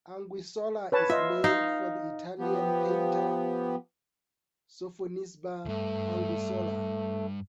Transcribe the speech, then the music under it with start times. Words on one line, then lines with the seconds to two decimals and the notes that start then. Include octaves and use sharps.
Anguissola is named for the Italian painter Sofonisba Anguissola.
0.92 B4 C#5 A5
1.10 F4 D#5 E5
1.44 D#4 D#5 F5
2.39 F3 B3 G4
5.65 D2 G2 A3